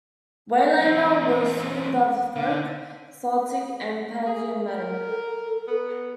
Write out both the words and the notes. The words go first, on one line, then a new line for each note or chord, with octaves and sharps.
"Waylander" were soon dubbed folk, Celtic and pagan metal.
E2 C4
D3
G#4
A#4
A4
B3